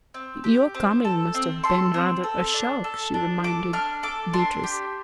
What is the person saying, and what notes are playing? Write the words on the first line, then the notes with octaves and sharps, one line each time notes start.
"Your coming must have been rather a shock," she reminded Beatrice.
C4
G4
C4
A4
C4
A4 C6
C4
A4
D4
A4
D4
A4 D6
D4 F6
A4 D6
D4 C6
G4